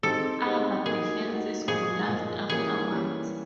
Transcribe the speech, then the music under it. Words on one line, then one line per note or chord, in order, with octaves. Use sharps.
Ava defenses collapsed afterwards.
G#3 C4 D#4 G4 A4
G#3 C4 D#4 G4
G3 A#3 D#4 F#4 G#4
G3 A#3 D#4 F#4
A#2 F3 G#3 G#4
A#2 F3 G#3
E3 G3 A#3 C#4 G#4
E3 G3 A#3 C#4